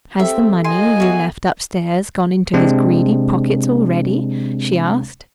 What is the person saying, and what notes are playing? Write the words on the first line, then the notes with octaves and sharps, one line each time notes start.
"Has the money you left upstairs gone into his greedy pockets already?" she asked.
C4 G4 A4 E5
D#2 F4 D#5 G#5 C6
B3 F#4 G#4 E5 F#5
C3 G#3 C4 D4